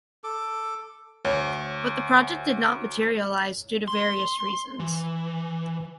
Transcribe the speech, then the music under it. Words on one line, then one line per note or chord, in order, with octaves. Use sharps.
But the project did not materialise due to various reasons.
A4 D6
D2 C#5
C6
E3